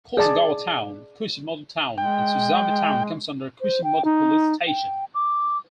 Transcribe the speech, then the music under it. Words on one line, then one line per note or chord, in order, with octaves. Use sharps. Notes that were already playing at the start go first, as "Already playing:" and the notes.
Kozagawa Town, Kushimoto Town, and Susami Town comes under Kushimoto police station.
G#4 D5 A5
G#3 G5
C5
G5
D#4
G5
D6